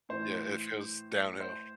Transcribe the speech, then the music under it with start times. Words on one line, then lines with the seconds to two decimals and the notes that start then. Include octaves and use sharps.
Yeah, it feels downhill,
0.09 A2 E3 C5
1.40 C5